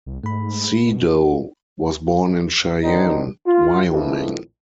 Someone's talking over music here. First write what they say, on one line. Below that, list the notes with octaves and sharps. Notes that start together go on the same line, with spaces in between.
Siedow was born in Cheyenne, Wyoming.
C2
G#2 A3 B5
B2
D#3 F#3 C4 D4 D#4
F4
A#1 F2 A2 D#3 E3